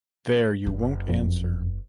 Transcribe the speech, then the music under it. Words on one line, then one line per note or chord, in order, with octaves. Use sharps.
There, you won’t answer.
F#1
F2